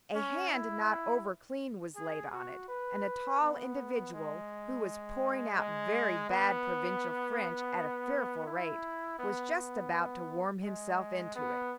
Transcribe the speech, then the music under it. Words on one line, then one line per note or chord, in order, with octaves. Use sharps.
A hand not over clean was laid on it, and a tall individual, who was pouring out very bad provincial French at a fearful rate, was just about to worm himself into it.
C#4
E4
G#4
F#4
B4
B3
G#3
G#3
B3
E4
B3
B3
G#3
B3